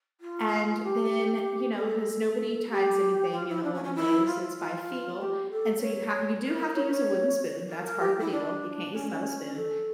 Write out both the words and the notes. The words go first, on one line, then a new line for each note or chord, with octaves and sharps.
And then, you know, 'cause nobody times anything in the olden days, it's by feel, and so you ha you do have to use a wooden spoon, that's part of the deal, you can't use a metal spoon.
F4
G4
A4
G4
F4
E4
D4
C#4
C#4
E4
F4
F4
G4
A4
C#5
A#4
A#4
C#5
C#5
A#4
A#4
G4
E4
D4
C#4
C#4
A4